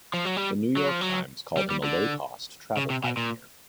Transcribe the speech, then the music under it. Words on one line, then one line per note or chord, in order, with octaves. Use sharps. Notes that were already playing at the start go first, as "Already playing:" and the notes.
The New York Times called him a low-cost travel pioneer.
F3
F#3
G3
F#3
F3
F#3
G3
G3
D3
C#3
C3
B2
A#2